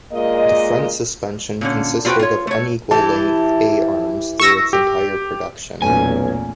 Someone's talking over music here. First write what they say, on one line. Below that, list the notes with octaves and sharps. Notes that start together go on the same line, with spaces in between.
The front suspension consisted of unequal length A-arms through its entire production.
A#2 G#3 A#3 D#5
A#2 D3 C#4
G3 F4 F#4 B4 C5 G5
F4 C#5
A3 C#5
E3 E4 G4 A5
C#6 E6 A#6
G4
B1 E2 A#2 A3 C#4 G#5